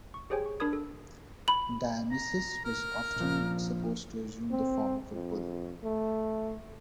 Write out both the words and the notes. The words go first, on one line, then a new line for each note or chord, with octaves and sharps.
Dionysus was often supposed to assume the form of a bull.
C#6
G4 G#4 C5 C#5 G5 G#5
C#6
D4 A#4 B5 D#6 G#6
A4
B5 F#7
A#5
A#4
A#1 F3
C4
F2
A3